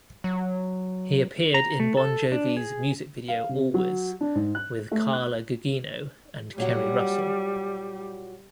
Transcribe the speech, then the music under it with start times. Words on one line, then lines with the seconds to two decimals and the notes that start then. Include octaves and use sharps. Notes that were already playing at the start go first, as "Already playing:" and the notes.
He appeared in Bon Jovi's music video "Always", with Carla Gugino and Keri Russell.
0.24 F#3
1.54 A#5
1.80 A3
1.97 A4
2.32 D4
2.57 G#4
3.28 F5
3.49 C3
3.74 F#3
4.21 D4
4.35 G#2
4.55 F#6
4.91 A3
5.13 F#6
6.58 A#2 F#3 G3 F#4